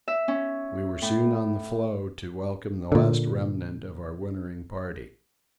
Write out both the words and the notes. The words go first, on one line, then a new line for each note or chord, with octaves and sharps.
We were soon on the floe to welcome the last remnant of our wintering party.
E5
C#4
A2
A#2 D3